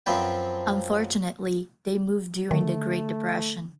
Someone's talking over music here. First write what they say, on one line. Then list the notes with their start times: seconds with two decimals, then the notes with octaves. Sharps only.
Unfortunately, they move during the Great Depression.
0.06 F#2 F3 F#3 C4 B4 G5
2.51 D3 D#3 A3